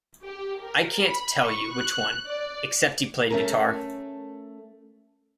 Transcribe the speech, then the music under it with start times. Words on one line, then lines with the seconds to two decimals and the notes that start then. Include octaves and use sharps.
I can't tell you which one... except he played guitar.
0.24 G4
0.61 A#4
1.02 B5
1.44 C#6
1.74 F#6
2.28 D5
3.31 A3 C#4 A#4